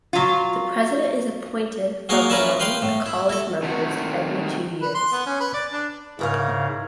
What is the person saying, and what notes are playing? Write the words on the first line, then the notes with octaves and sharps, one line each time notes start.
The President is appointed from among the college members every two years.
F#3 F4
F#3 A#3 G#4 A#4 C#5 F5
C#4 E4 A#4 B4 E5 A5
B4 F5 G5 C6
A2
E4
E4 A4
C3 D#3 A3 F#4
B4
C6
B3
C#4
B4
D5
D4
G#2 C#3 E4 A#4 F5